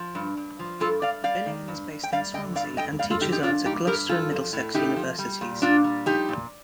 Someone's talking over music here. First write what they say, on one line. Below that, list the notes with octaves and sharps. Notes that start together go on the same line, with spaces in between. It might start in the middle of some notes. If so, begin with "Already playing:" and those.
Billingham is based in Swansea and teaches art at Gloucester and Middlesex universities.
Already playing: F3
G2
G2
F3
G2 F4 A4
G2 D5 F5
G3 D5 F5
D#3
G2
G2
G5
G3 D5 F5
D3 D#5 G5
G2 D5 F5
G2 D#5 G5
G3 D5 F5
F4 A4
D3 D#4 G4
D#4 G4
F3 D4 F4
G2 D#4 G4
G2 G4 A#4
F3 F4 A4
F3
A2
A2 D#4 G4
F3
G3
A#2
A#2 D4 F4
G3
F3 D#4 G4
A#2